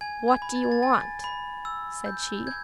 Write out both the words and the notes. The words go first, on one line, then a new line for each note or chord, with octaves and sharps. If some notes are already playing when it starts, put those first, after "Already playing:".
'What do you want?' said she.
G#5 G#6
G#6
B5
A6
G#6
A6
G#5 A6
B5
E6
G6
G6 G#6